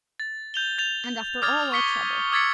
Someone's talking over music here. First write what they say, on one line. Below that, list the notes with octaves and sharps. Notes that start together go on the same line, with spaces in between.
'And after all our trouble!
A6
G6 F7 G7
G6 A6 F7
D6 D#6 F6 G#6 A6
C#6 D#6 B6 C#7 G7
D6 E6 G#6 A6 B6 C#7